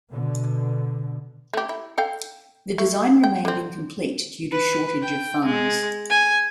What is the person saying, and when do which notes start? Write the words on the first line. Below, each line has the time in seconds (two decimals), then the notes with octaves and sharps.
The design remained incomplete due to shortage of funds.
0.11 B2 D3
1.53 A3 G4
1.69 E4
1.98 A4 F5 G5
2.78 A3
3.24 G5
3.45 D3 C4
4.51 B4
5.03 G5
5.45 G#3
6.10 G#5